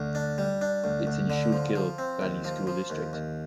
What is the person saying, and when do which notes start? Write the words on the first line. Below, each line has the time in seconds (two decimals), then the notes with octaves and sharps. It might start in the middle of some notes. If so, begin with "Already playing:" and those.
It is in Schuylkill Valley School District.
Already playing: D2
0.15 D4
0.38 G3
0.61 D4
0.84 D2
1.07 D2
1.30 D3
1.52 F3
1.76 F3
1.98 C4
2.21 D#2
2.44 F3
2.67 F3
2.90 D#2
3.13 D#2